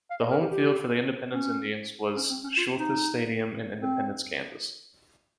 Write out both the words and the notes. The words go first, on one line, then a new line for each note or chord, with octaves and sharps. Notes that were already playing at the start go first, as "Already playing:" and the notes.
The home field for the Independence Indians was Shulthis Stadium in Independence, Kansas.
F5
D#5
A#4
G4
G4
C#4
C#4
C4
C#4
F4
D#4
C4